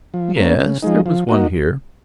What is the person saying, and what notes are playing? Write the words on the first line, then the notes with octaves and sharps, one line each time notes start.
"Yes, there was one here."
F3
A#3 C#4
C#3
F3 G#3 D#4
F3
A#3 D#4 F#4